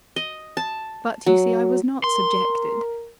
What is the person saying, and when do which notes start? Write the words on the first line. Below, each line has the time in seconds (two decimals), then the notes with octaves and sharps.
But you see I was not subjected.
0.16 D#5
0.57 A5
1.26 F#3
2.04 A#4 C6